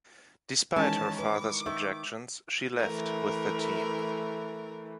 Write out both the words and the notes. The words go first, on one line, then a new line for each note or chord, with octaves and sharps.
Despite her father’s objections, she left with the team.
D#3 E3 G#3 C#4 A#4 A5
B4 D6
D#3 E5
E3 A3 A#4